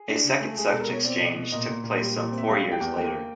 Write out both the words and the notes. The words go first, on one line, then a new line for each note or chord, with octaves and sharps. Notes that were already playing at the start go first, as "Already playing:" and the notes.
A second such exchange took place some four years later.
Already playing: G#4
D4
C#3
A3
G#3 G#4
B2 A4
A#4
B2 C#5
C4 D5
B2 D5
D#5
B2
A#2 D#5
A#2
A#2
G3
A#2
C4
E5
G3 F5
G3
G5
E2
A#3 G5